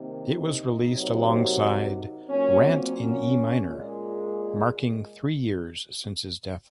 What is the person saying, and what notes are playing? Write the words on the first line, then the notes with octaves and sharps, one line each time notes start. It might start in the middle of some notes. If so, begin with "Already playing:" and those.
It was released alongside "Rant in E-Minor", marking three years since his death.
Already playing: C3 D#3 A#3
D#4
C3 F#3 A#3
A#2 F#3 A#3 C#4
C4
C#4
A#2 G#3